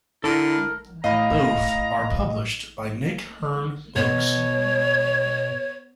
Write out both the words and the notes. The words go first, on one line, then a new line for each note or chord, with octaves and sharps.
Both are published by Nick Hern Books.
D3 D4 E4 A4 A#4
A2 D#5 F5 A#5 B5
B2 C#5